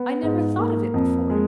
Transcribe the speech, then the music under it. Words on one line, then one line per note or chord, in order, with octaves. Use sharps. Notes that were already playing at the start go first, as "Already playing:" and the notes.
I never thought of it before.
Already playing: B3
G#2
A#3
F2
G#3